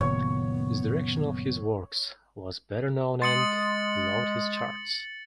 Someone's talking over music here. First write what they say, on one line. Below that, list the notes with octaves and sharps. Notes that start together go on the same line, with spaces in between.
His direction of his works was better known and loved his charts.
F#1 A#2 D#3 B3 C#5
G#3 C6 D#6 A6 C#7 F#7